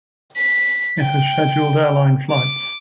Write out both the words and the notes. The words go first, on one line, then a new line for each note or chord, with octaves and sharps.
It has scheduled airline flights.
B6
G5
D6